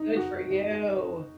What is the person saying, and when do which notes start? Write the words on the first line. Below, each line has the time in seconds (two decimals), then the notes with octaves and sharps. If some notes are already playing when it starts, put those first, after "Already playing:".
Good for you.
Already playing: D#4
0.16 F#4